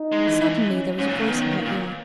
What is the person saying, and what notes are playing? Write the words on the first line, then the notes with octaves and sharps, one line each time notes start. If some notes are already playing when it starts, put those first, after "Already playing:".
Suddenly there was a voice in her ear.
Already playing: D#4
G#3
E3
E3
C#4
G#2 C#4
A#2
C#3
D#3 B3
D#3
A#3
A#2